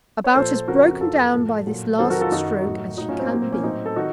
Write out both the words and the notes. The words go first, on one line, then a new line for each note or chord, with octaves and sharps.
'About as broken down by this last stroke as she can be.'
C#5
A#2 F3 A4 C5
F2 C#3 F3 F#4 A#4
F#2 F3 F4 A4
A2 F3
A#2 F#3
F2 C3 D#3 F#3 A4 C5
F#4 A#4
F4 A4
F#2 D#3 F#3 D#4 F#4
A2 F#3
A2 F#3 D#4 F#4
C#4 F4
C4 D#4
A#2 F#3 A#3
C4
A#3 C#4
A2 F#3 C4 D#4
A4
D#3 D#4 F#4